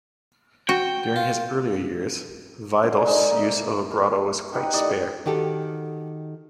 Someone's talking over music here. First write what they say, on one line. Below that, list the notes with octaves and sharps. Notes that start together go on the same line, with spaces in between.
During his earlier years, Wiedoeft's use of vibrato was quite spare.
F#4 G5
F4
D3 A#4 C5
G#3 D#4 A5
A#3 E5
A#4
D#4 G4 B4 F#5
A2 D#3 D5 D#5
D#3 F#4 G4 A4